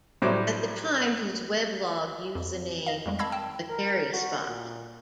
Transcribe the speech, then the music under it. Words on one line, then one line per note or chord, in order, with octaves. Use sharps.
At the time his weblog used the name "The Kerry Spot".
A2 F#3 G3 C5 D6
F2
D#5 F5
F2 G3 G#3
F5 A5 B5 E6 G#6 A#6
G5 A5 E6
A#4
F#4
A#2